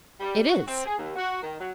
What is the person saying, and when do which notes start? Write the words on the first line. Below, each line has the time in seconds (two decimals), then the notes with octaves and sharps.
"It is."
0.20 G3
0.48 F#4
0.66 C4
0.86 G#4
0.97 D#2
1.15 F#4
1.42 D#3
1.59 F#3